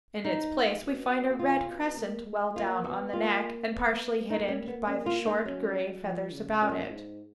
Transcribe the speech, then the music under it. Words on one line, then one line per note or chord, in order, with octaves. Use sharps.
In its place we find a red crescent well down on the neck, and partially hidden by the short gray feathers about it.
G#2 D#4
B2
F#4
C#3 F4
B2
A#3
G#3
A#3 F4
B3 F#4
A#3 F4
B3
A#3 D#4
C#4
B3
C#4
F4
D#4
F#3 C#4
F3
C#3
A#2 C#4
G#2